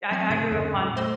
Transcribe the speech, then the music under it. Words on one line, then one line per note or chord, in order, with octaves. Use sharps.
I I grew up on
F#3 C4 G#5 C#7
G#2 C#3 D#6 D7
F2 D3 C#4
A#2
A3 A4 C5 D#5 C6 E6